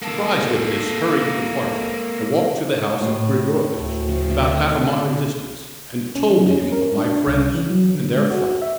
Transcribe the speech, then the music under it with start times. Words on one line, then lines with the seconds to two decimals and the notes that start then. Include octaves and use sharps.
Surprised at this hurried departure, I walked to the house of Grigorovitch, about half a mile distant, and told him of my friends and their flight.
0.02 A#3 A4
3.01 A2
3.72 D2 A3
4.08 C#3 F3
4.29 B2 D3 A3
6.15 C#4
6.30 F#3
6.50 C#4
6.72 A#4
6.98 D4
7.27 C2
7.54 E3
7.70 F#3
7.95 D3
8.16 G#3
8.31 F#4
8.62 E5